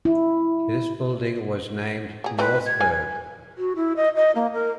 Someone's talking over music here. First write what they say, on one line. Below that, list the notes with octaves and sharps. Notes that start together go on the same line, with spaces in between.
This building was named "Northburg".
E4
B3 G#4
G#3 C4 D#4 B4
G#6
G#4 A#4 G#5
F#4
E4
D#5
D#5
A#3
A#4